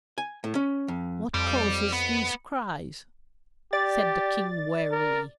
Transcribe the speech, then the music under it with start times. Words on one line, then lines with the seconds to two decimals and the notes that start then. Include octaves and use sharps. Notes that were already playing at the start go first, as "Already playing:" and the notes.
"What causes these cries?" said the King wearily.
0.18 G#5
0.44 A2
0.55 C#4
0.88 F2
1.34 F2 G3
1.92 B3
3.73 G4 D5 A6
4.91 A#4